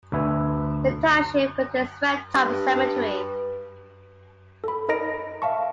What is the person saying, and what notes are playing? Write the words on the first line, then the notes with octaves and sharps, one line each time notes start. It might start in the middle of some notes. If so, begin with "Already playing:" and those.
The township contains Redtop Cemetery.
D2 B4 E5 G#5
G2 B4
A4 B5
D#4 A#4 D#5 A#5 A#6 D7
E5 F5 A5 C#6